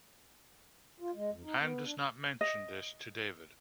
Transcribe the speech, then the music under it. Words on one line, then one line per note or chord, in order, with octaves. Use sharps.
Ann does not mention this to David.
F4
G#3
F2
D#4
B3
D4
D#5